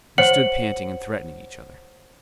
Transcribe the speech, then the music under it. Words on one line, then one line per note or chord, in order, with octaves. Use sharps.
We stood panting and threatening each other.
C5 C#5 F#5 C#7 F#7